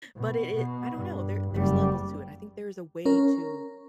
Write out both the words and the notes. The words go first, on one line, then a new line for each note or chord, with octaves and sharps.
but it it I don't know, there there's levels to it, I think there's a way to
B2
B2
G2
F#1 G3
C#4 A#4